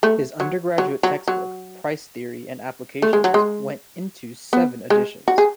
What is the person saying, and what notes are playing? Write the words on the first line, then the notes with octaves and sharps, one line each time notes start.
His undergraduate textbook, "Price Theory and Applications", went into seven editions.
A3
F#3
F#3
F#3
F#3
A3
G#3
F#3
G#3
B3
G#3
F#4
G#4